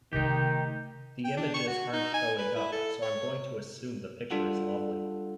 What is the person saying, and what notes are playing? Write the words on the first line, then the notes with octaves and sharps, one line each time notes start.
The images are n't showing up, so I 'm going to assume the picture is lovely.
C3 D#3 A3 D#4 G4
G5
D4
C#6
F#4
D#4
G#5
B4
E4
A4
C#5
G3 D4 F4 A4 F#5